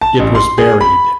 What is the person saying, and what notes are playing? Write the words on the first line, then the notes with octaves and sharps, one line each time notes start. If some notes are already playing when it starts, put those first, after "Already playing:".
It was buried.
A5
A1
C6
G#4
B5